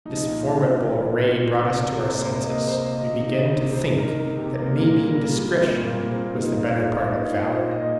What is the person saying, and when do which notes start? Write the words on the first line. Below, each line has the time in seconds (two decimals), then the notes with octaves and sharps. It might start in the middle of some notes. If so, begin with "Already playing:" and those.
This formidable array brought us to our senses: we began to think that maybe discretion was the better part of valor.
0.05 F3 D#4
0.25 A#2
0.44 A#2 F4
0.64 A#2
0.84 A#2
1.03 A#2
1.23 A#3
1.43 A#2
1.62 C3
1.83 C3
2.01 C3 C5
2.21 A#3 C5
2.33 C5
2.41 A#3 D#5
2.61 C3
2.68 C5
2.80 A#3
2.94 D#5
3.00 C3
3.20 D#3 D#5
3.39 D#3
3.46 C5
3.59 C3
3.72 C5
3.79 C3
3.98 D#3 A#4
4.18 C3
4.38 C3 G4
4.57 A#3
4.77 A#2 A#4
4.96 G3
5.03 A#4
5.16 A#2
5.36 G3
5.55 A#3 C4
5.75 A#2
5.82 A#3
5.95 A#2
6.08 C4
6.14 A#3
6.34 A#2 D#4
6.53 A#2 F4
6.73 A#3 F4
6.93 A#3
7.12 A#3 D#4
7.32 A#2 F4
7.52 A#2 C5
7.71 A#2 D#5